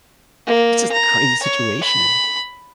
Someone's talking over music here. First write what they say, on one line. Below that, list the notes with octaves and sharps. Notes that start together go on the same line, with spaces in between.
it's just a crazy situation.
A#3
A#5
C#5
B5